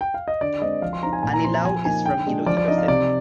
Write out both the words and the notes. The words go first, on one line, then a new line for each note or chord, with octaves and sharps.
Anilao is from Iloilo City.
G5
F5
D#5
D3 D5
G#3 C4 D#5
F3 F5
C6
C4 D#4 A#5
G#5
A#2 G#5
A#5
F3 C4 C6
A#5
F3 G#5
A#3 D#4 G#5
D3 G5
G#3 D4
F3 D5
D5
C4 D#4 D#5
F5
C3 D5